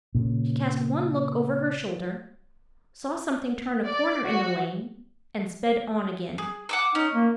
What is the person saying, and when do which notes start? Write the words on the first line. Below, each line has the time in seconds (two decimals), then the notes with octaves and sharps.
She cast one look over her shoulder, saw something turn a corner in the lane, and sped on again.
0.15 A#2 C#3
3.85 D5
4.25 F#4
6.38 G#4
6.69 F#5 D6 E6
6.95 C#4 D#4
7.14 A#3